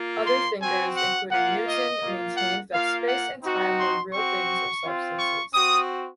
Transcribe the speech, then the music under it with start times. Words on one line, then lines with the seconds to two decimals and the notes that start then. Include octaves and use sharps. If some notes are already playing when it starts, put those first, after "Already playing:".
Other thinkers, including Newton, maintained that space and time were real things or substances.
Already playing: A#3 F4
0.27 C6
0.61 C4 F#4 G#5
0.97 F#5
1.31 A#3 F4 F#5
1.67 D#5
2.02 A#3 F4
2.37 F#5
2.72 A#3 F4 F5
3.08 F#5
3.43 C4 D#4 F#4
3.78 C6
4.14 C4 F#4 C#6
4.84 C4 F4
5.19 C#6
5.54 C4 F#4 D#6